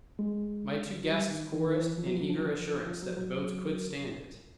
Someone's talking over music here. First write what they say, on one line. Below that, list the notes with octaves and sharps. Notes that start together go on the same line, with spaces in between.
My two guests chorused an eager assurance that the boats could stand it.
G#3
F#3
G3
D#3
E3
D#3
E3
F3
F#3
F3
F#3
F3
F#3
F3
F3
F#3
F#3